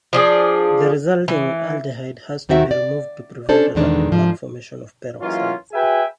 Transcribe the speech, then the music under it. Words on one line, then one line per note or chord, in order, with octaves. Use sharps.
The resulting aldehyde has to be removed to prevent a rapid back-formation of peroxides.
F3 D4 G#4
E3
D#2 D#3 C4 F#4 E5
D5
C#4 D4 A4 C5 D5
E2 B2 D#3 G#3 D4
G#2 F3
E3 F#3 G#3 A#3 C#4 F4
F#4 G#4 B4 E5 G5 G#5